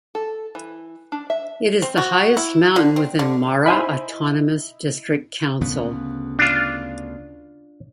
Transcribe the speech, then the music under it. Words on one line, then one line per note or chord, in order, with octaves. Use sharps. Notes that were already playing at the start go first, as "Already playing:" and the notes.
It is the highest mountain within Mara Autonomous District Council.
A4
E3
D4
E5
C4
F#4
E4
D3
C4
D3
D#4 E4 C5 G#5 B5
D2 C#3 B3
D4 F4